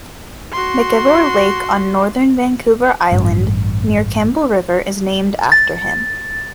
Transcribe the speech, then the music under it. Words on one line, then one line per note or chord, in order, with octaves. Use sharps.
McIvor Lake on northern Vancouver Island near Campbell River is named after him.
F#4 C6
A1 G2
A6